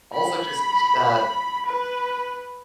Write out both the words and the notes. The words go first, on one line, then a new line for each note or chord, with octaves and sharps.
also just, uh
B5
B4